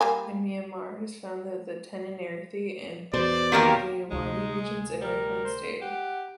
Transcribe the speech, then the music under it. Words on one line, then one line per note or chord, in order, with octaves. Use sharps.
In Myanmar it is found in the Tanintharyi and Ayeyarwady Regions and Rakhine State.
G3 A#3 G#5
E2 B2 C5 D5
D#3 A#3 F4 G4 A#4
D2 C3 G#3 D#4
G#4
G3 A#4
C5
G4 F#5